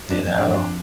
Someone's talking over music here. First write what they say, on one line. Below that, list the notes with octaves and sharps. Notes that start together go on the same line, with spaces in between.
You know?
F2 D4
D4